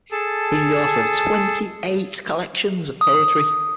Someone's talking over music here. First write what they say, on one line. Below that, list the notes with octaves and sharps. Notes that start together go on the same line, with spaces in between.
He is the author of twenty-eight collections of poetry.
G#4 A4 A5
D#6